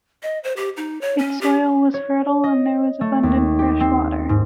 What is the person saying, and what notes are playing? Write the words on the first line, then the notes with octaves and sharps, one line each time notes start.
Its soil was fertile and there was abundant fresh water.
D#5
C5
G4
D#4
C#5
C#4
G4
C#5
D#5
A3
D#2
G4
C4
G#2